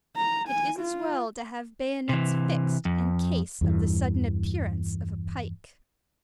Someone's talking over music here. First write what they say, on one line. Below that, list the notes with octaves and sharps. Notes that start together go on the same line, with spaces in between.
It is as well to have bayonets fixed in case of the sudden appearance of a pike.
A#5
G#5
F4
C3 E3
F2
E2 G2 E3